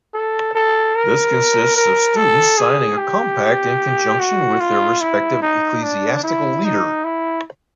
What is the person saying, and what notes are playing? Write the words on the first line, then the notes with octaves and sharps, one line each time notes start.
This consists of students signing a compact in conjunction with their respective ecclesiastical leader.
A4
A4
A#4
A#4
A4
G#4
G4
F#4
F4
E4
D#4
D4
E4
D#4
E4